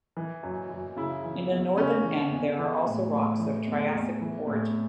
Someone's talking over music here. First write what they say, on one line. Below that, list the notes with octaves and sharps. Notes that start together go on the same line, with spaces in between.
In the northern end there are also rocks of triassic origin.
E3
F#2
F#2
C#3 E4
E3
E2
C#3 C#4
E3
E2
E3
A2
A2
E3
E2
E2
E3
A2